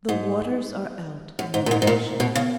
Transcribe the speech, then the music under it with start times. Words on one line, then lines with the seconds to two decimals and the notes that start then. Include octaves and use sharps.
The waters are out in Lincolnshire.
0.09 G#2
1.39 F#2
1.54 G#2
1.66 A#2
1.71 G#2
1.82 G#2
1.87 A#2
2.20 B2
2.35 C#3